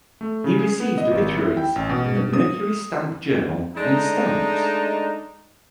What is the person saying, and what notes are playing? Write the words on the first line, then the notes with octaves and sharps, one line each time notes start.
He received obituaries in the "Mercury Stamp Journal" and "Stamps".
A3
C#3
G#4
B3
D#5
G#1
E4
G5
A1
B2
D#6
G#3 A3 D4 D#4